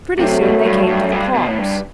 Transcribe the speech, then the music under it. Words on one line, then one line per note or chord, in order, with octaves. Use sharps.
Pretty soon they came to the palms.
C3 F#3 A3
B2
F#2
G2
G2
F#2
G2
B2
A2
G2